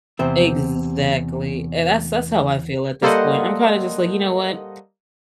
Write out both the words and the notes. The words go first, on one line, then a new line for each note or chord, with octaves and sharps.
Exactly, and that's that's how I feel at this point, I'm kinda just, like, you know what?
E2 C3 C4 E5
G3 A#3 A4 C5 D#5 F#5